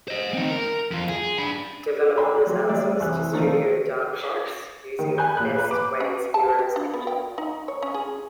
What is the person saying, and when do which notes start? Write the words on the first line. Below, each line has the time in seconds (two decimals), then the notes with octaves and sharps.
Development was outsourced to studio Dark Fox, using Best Way's Heroes engine.
0.08 C5 D#5
0.34 C4 D#4
0.50 A#4
0.91 F2 F4
1.09 G#4
1.39 D4 B5
2.17 D5 G5 G#5 B5 C6 D6
2.47 F#3
2.69 G3 D5 E5
3.00 C2 E3 F#6
3.33 C3 D#3 F3 A#3 D4 A4
4.99 D#3
5.18 G#5 B5 F#6 G6
5.37 A#2 F#6
5.55 B4 B5
5.71 D6
6.00 C#4
6.34 A5
6.59 G4
6.76 D4
6.94 B3
7.07 G5
7.38 D#4
7.68 C#5
7.83 C#4
7.94 G#4